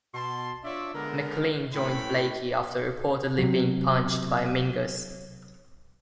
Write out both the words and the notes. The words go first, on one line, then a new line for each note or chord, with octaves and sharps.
McLean joined Blakey after reportedly being punched by Mingus.
B2 A5 C6
D4 F4 C#5 D5 E5
D3 G#3 B3 A#4
A2 C#4 B4 C#5 G5 B5
C3 F#3